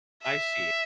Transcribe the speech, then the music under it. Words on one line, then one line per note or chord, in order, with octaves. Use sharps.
I see.
E5